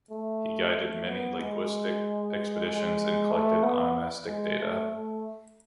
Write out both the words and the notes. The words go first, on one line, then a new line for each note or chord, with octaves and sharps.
He guided many linguistic expeditions and collected onomastic data.
A3
A3
B3
G#3
G#3
A3
B3
G#3
A3
A3